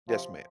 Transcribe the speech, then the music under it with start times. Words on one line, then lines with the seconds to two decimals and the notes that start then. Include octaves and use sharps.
Yes, ma'am.
0.09 C3 F3